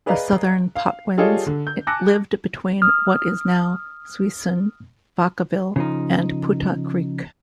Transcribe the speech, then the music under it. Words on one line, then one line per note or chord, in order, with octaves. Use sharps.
The "Southern Patwins" lived between what is now Suisun, Vacaville, and Putah Creek.
G#4 B4 D5 D#5 F5 A#5
F5
G3 F4 G#4 A4 C#5 D#5
D3
G6
G#5 A5 D6 F#6 A#6 C#7
D#6 F6
C#3 F3 D#4